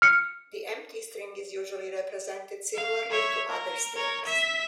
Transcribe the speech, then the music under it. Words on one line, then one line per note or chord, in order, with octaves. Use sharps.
The empty string is usually represented similarly to other strings.
F6 C#7
F5
C#5 E5
A#4
A#4 C#5
E5 B6